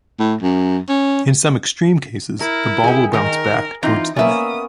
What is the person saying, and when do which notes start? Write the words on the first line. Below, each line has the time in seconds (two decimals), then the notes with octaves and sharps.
In some extreme cases, the ball will bounce back towards the net.
0.20 A2
0.42 F#2
0.89 C#4
2.41 E4 A#4
2.84 G#4 G5
3.13 D#3 D#4 A#4
3.83 E3 C4 D#4 F4
4.16 A#3 B3 C#4 D5 E5 D#6